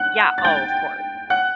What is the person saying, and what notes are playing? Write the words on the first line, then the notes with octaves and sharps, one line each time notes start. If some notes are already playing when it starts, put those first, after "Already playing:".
Yeah, oh, of cour
Already playing: F#5 F#6
A6
G5 G6
F#5 F#6